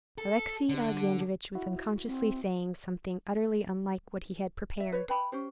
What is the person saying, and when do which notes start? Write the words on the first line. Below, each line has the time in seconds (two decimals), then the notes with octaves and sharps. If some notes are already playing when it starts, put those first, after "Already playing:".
Alexey Alexandrovitch was unconsciously saying something utterly unlike what he had prepared.
0.18 A4
0.69 D3
1.55 E4 F#4
2.05 C4
4.80 E5
4.92 B4 C#5
5.08 B4 G5 B5
5.32 C#4 G4 C5